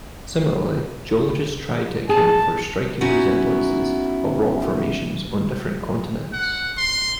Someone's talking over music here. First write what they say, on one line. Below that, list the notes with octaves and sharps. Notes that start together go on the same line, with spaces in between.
Similarly, geologists tried to account for striking resemblances of rock formations on different continents.
G#4 A5
B3 C#4 D#4 E4 F#4
F#5
C6